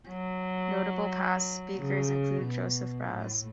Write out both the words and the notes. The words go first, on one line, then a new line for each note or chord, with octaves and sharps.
Notable past speakers include Joseph Raz.
F#3
C#3
B2
A2